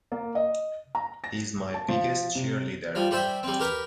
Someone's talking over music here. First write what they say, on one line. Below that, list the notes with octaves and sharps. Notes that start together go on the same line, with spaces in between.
He's my biggest cheerleader.
A#3
D#5
A#5
A#6
A5
F3
C3
F3 G3
G3 G4 C5 E5
G3 C4
G4 A#4 B4